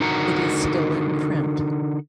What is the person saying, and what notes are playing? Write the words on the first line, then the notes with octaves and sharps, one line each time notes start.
It is still in print.
D3 D#4 F#4 A#4 F#5 A#5